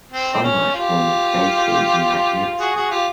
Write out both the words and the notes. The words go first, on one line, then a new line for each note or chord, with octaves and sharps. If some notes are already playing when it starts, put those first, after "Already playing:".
The sunrise from the crater is magnificent.
C4
C4
C#4
F4 G4
F#4 G#4
F#4 G#4
F4 G4